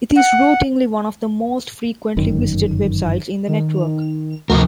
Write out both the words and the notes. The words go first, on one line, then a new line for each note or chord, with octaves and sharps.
It is routinely one of the most frequently visited websites in the network.
F#5
G1 F#2 D#3
D#3
D2 C3 F3 A#4